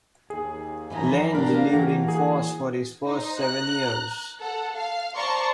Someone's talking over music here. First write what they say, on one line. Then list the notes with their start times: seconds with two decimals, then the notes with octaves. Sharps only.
Lange lived in Foss for his first seven years.
0.30 D#2 G#4
0.90 F#2 E3 F3 D#4 A#5 B5
1.35 A#3 D4 G4 A#4 F5 A#5
1.73 E3 F#4 G4
2.08 G#4
3.06 D#4 C5
3.37 A#5 F#6
4.38 A4 F#5
4.75 F5
5.16 C5 D5 A5 A#5 C6 C#6